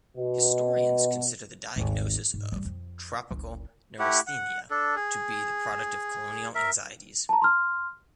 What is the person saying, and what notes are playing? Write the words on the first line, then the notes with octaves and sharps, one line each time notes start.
Historians consider the diagnosis of "tropical neurasthenia" to be the product of colonial anxieties.
B2
G#1 D#2
G#2
F#2 G3
F2
F#1 C#2
A3 E4 G4 F#5
F#5
D4 A4
G#4
A#4 E5
A5 A#5
C6 F6